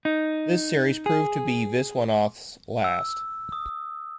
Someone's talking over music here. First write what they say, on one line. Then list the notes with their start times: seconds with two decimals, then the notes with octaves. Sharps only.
This series proved to be Viswanath's last.
0.05 D#4
1.06 G#4
2.84 E6
3.52 D#6